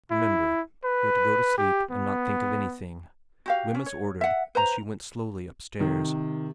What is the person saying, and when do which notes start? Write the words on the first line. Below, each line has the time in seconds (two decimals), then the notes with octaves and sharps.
'Remember you're to go to sleep and not think of anything,' Wemyss ordered as she went slowly upstairs.
0.11 E4
0.84 B4
1.58 G4
1.91 B3
3.46 F#4 G4 F5
3.75 C#4
3.86 C#5
4.21 E5 F#5
4.55 B4 C5 A#5
5.80 C3 D#3